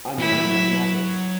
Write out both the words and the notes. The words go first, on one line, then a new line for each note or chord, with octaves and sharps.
I’m learning mathematics.
E3 E4
G3
F#3